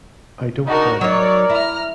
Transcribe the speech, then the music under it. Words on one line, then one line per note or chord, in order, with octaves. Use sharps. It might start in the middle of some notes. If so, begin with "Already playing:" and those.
I don’t doubt it.
D4 D#4 F#4 A#4
F#3 D#4 A#4 C#5 D5
E4 A#5 F6